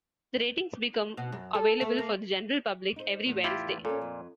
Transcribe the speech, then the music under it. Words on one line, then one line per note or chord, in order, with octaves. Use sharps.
The ratings become available for the general public every Wednesday.
B2
F#2
A4
A3
A#3
D#4 C5
E2 A2 B3
E4 F4 G4
A#2 C#4 A4
F2